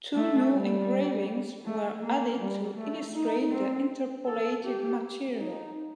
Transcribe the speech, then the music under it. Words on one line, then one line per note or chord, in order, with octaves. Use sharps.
Two new engravings were added to illustrate the interpolated material.
A3
G3
A3
A#3
G3
A3
D#4
C4
A4
G4
D#4